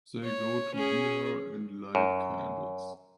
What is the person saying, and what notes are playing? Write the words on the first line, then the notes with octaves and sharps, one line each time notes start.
They go to Bihar and light candles.
C#5
C#4 G#4
F#2